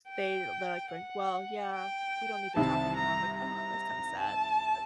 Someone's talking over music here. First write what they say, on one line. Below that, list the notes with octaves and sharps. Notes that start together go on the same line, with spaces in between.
they're they're, like, going, "Well, yeah, we don't need to talk anymore." I'm like, "Ugh, that's kinda sad.” But
G5
F#5
G5
C2 C3 D#3 G3 C4 A5
A#5
A#5
A5